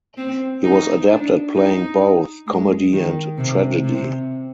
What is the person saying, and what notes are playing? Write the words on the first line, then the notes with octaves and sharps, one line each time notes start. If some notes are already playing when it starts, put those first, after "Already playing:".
He was adept at playing both comedy and tragedy.
C4
D#4
D4
D#4
G#3
D#3
C3
C3